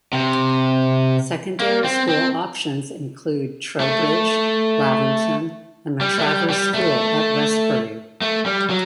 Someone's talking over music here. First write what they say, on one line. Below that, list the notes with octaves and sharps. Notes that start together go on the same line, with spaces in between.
Secondary school options include Trowbridge, Lavington, and Matravers School at Westbury.
C3
A#3
C4
C4
A3
G3
A3
G3
G3
A3
A3
G3
F#3